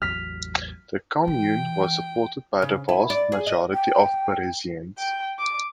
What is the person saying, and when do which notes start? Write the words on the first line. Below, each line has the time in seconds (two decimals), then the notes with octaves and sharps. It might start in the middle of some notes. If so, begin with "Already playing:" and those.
The Commune was supported by the vast majority of Parisians.
0.02 A1 E2 F#3 F6 B6
1.28 E3 G5
2.62 C#3
2.89 E4
3.10 D5
3.32 G#4
3.47 D#5
3.73 G5
4.98 G5
5.39 D6